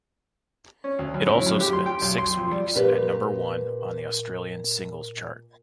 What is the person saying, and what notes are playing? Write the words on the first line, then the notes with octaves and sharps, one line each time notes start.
It also spent six weeks at number one on the Australian Singles Chart.
C#4
D2
F#2
A2
F#2
G4
C6
G5
B1
C6
F2
G3
A#2 G4 B4